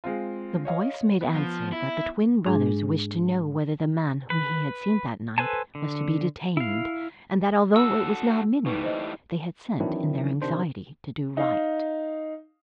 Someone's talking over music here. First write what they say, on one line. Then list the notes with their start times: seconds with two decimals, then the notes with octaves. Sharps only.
The voice made answer that the twin brothers wished to know whether the man whom he had seen that night was to be detained; and that although it was now midnight they had sent, in their anxiety to do right.
0.04 G#3 C4 F4
0.65 C#5 D#5 F5
1.21 B3
1.34 F3
1.72 E4
2.46 G#2 G#3 D4 G#4
4.30 B4
5.38 A4 B4 C5 G#5 A5
5.75 D3
6.57 E4 F5
7.76 F#4 A4 E6
8.66 A2 E3 G3 D#4 B4
8.83 C5 D#5
9.80 D#3 E3 F#3 C4 D4 E4
10.42 C3 D#3 D4 C5
11.37 D#4 F5